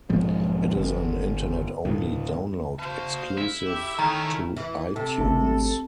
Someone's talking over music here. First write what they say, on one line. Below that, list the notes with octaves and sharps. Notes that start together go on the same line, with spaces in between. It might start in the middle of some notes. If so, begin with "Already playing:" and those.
It is an internet-only download exclusive to iTunes.
B1 G#2 F3 G#3
G1
D2 A2
F#4 C5 F5 A5
E4 E5
G4
D#3 A3 C#4 A#4 A#5
E3
C3 A4
G#1 A3 D4